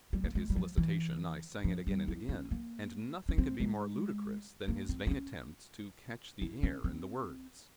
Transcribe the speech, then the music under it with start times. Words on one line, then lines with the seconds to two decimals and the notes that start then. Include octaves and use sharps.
At his solicitation I sang it again and again, and nothing could be more ludicrous than his vain attempts to catch the air and the words.
0.13 G3
0.24 A#3
0.35 G#3
0.50 G3
0.56 F3
0.78 E3
1.64 F3
1.87 G3
2.08 E4
2.29 C#4
2.51 A#3
3.29 C#4
3.38 C4
3.60 G#3
4.68 A#3
4.89 C4
5.07 C4
5.11 C#4
6.42 E4
6.63 C#4
6.84 C4